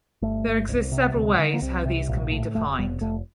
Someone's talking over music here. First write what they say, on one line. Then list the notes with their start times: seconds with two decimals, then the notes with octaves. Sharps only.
There exists several ways how these can be defined.
0.22 G1 A3
0.46 G1
0.69 C2
0.92 C3
1.15 D2
1.39 D3
1.53 A#3
1.62 C2 C4
1.86 C3
2.08 A#1
2.32 A2
2.55 F1 A3
2.78 F1 G3
3.01 F1 A3